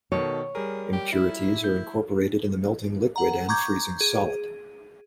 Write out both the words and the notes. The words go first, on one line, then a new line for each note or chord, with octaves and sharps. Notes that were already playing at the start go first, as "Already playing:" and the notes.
Impurities are incorporated in the melting liquid and freezing solid.
B2 D#3 A4 C#5
G3 G#4 A#4
G4
E4
G6
F#5 A#5
A#5 C#6 D6 G6 G#6
G#4